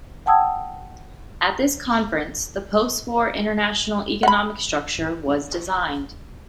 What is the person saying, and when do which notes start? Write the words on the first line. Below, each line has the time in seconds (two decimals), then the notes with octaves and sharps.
At this conference the post-war international economic structure was designed.
0.26 F#5 G5 A5 D#6 E6 G#6
4.23 F#5 B5